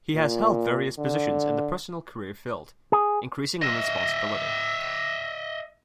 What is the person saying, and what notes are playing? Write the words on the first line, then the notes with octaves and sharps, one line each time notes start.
He has held various positions in the personnel career field, increasing in responsibility.
A#2
D3
G#4
D#5 E5